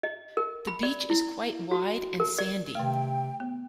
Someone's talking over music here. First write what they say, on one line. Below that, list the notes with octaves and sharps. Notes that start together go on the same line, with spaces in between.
The beach is quite wide and sandy.
D#5
A#4
B5
D5
E4
F#4
A#4
D5
C3 D#3 A3 G5
B3